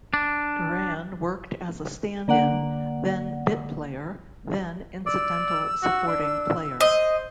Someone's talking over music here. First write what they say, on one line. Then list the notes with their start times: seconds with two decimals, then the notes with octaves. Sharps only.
Doran worked as a stand-in, then bit player, then incidental supporting player.
0.14 D4
2.28 D3 A#3 D5 F#5
5.06 D5 E6
5.83 F#4
6.07 D4
6.81 C5 D#5